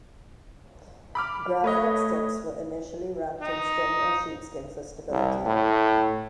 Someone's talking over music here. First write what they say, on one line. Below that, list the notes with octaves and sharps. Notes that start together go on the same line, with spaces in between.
Graphite sticks were initially wrapped in string or sheepskin for stability.
B5 D6 F6
A3 B4 C#5 D#5
D#4
C2
A2